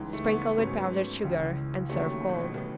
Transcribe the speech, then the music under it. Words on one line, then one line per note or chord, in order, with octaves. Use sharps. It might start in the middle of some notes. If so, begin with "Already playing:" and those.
Sprinkle with powdered sugar and serve cold.
Already playing: C#2 C#3 E3 G#3 D#4
A3
B3
G#2 F#3 B3 C#4
C#2 C#3 E3
D#2 D#3 F#3 A3 C#4 E4
B2
A2
B2
A2 C#3 E3 B3